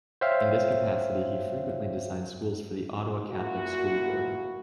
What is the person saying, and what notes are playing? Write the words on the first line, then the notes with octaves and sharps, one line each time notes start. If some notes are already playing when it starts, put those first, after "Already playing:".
In this capacity he frequently designed schools for the Ottawa Catholic School Board.
C5 C#5 E5 F5 G5
A#2 E4 F#4